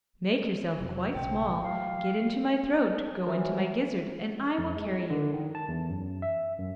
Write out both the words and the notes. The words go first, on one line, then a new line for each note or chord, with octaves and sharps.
Make yourself quite small, get into my throat--go into my gizzard and I will carry you.'
F2 C3 F#3
B1 A2 C#3 G5
F#3 F5
E3 F#3 A#4 E5
F2
G#3
D3
D#3
A5
E2
F#2
E5
F#2